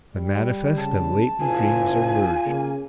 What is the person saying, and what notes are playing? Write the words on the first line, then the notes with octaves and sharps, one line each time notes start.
The manifest and latent dreams are merged.
G3
C#3 A5
F#1 F4 G#5
C#3 A#3